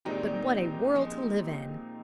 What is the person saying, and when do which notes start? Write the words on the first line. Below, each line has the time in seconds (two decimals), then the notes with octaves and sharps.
But what a world to live in!
0.05 A#2 D#3 G3 G#3 C4 D#4 G4
0.95 F3 G#3